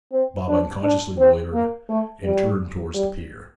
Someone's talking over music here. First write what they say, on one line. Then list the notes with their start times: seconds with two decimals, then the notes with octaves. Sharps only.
Bob unconsciously loitered, and turned towards the pier.
0.12 C4
0.48 D4
0.83 D4
1.18 C4
1.53 A#3
1.89 A3
2.25 G3
2.95 G3